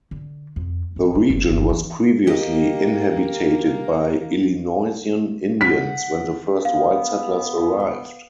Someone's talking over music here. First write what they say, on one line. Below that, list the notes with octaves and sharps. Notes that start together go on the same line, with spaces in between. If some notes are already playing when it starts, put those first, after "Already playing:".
The region was previously inhabited by Illinoisan Indians when the first white settlers arrived.
D3
F2
A1
D4
F#1
G1
E3
A#3 G4 D#5
F#5 B6
B3 F5